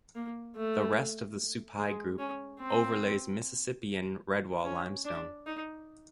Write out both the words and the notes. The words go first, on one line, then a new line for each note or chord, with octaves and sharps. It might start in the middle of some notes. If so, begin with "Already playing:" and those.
The rest of the Supai Group overlays Mississippian Redwall Limestone.
A#3
A3
G#3
C#4
C4
C#4
D4
D#4